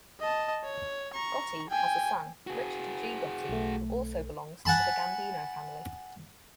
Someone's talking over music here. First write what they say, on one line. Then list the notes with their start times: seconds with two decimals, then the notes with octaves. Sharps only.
Gotti has a son, Richard G. Gotti, who also belongs to the Gambino family.
0.20 D#5 A5
0.64 C#5
1.13 A#5 C#6
1.69 G5 G#5
2.47 F#4 G#4
3.49 B1 A3
4.65 F#5 G#5 A5 B5